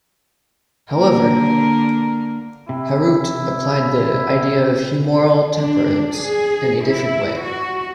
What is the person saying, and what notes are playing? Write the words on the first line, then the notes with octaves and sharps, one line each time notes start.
However, Huarte applied the idea of humoral temperaments in a different way.
D3 A#3 A#4
C3 E4
D4
G#4
E4
F#4